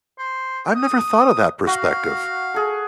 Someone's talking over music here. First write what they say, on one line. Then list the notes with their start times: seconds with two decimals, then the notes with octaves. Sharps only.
I've never thought of that perspective.
0.18 C5
0.75 D#6
1.67 F#4 F5
2.54 G#4 A4